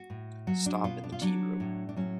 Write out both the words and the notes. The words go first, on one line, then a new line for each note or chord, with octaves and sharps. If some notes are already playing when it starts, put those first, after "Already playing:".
Stop in the tea-room.
Already playing: F#4
A2
F#3 F#4
D4
B2 F4
D4
F4
F#3 D4
A2
D4
F#3 C#4